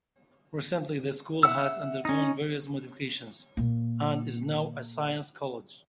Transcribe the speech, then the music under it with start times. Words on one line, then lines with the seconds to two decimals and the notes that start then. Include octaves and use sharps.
Recently the school has undergone various modifications, and is now a Science College.
1.43 E5 F#5 E6
2.05 C#4 D#4
3.57 A#2 A#3